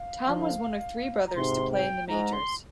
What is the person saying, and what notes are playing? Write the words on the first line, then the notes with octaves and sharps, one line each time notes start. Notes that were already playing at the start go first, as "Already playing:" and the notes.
Tom was one of three brothers to play in the Majors.
Already playing: F5
D3 F3
A#5
G#2 C3 C6
G5
G#2 A#5
C6